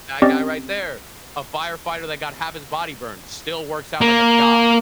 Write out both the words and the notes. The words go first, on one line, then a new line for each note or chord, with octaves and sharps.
That guy right there, a firefighter that got half his body burned, still works out like a god."
C4 C#4 G4 D5 D#5
A#3